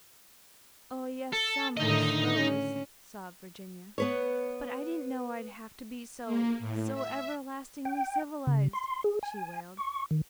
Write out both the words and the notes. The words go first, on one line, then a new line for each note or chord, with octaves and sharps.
"Oh, yes, some, I s'pose," sobbed Virginia, "but I didn't know I'd have to be so--so--everlastingly--civilised!" she wailed.
A4
A2 D3 D#3 D#4 D#5
C#4
B3 B4 C#5
A#3
A2
E5
G5
C#3
C6
G#4
G#5
C#6
D#3